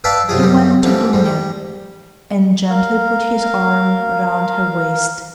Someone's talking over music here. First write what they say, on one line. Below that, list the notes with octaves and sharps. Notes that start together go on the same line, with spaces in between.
He went to Dounia and gently put his arm round her waist.
B4 D5 E5 F5 G5 A5
B1 F#2 C3 F4 G#4
F#2 C#3 G3
D3 E3 F3 G3
F2 G#2 G3
G3
A#4 F5